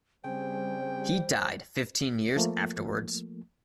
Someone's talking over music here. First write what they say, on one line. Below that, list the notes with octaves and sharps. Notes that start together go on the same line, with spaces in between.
He died fifteen years afterwards.
C#3 G3 C4 G#4 C5 G5
F3 A3 A#3